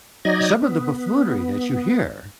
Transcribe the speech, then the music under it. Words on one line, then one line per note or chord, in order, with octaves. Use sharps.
some of the buffoonery that you hear
F#3 D#4 D5 D#5 G#6 A#6
B3